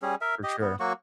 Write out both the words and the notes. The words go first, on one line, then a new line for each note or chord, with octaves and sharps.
For sure.
G3 C#4 G#4
A#4 E5
G4 D#5
B3
F#3 A#3 F#4 C#6